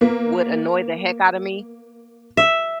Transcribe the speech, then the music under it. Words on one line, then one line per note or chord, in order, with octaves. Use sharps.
would annoy the heck out of me.
A#3 B3
E5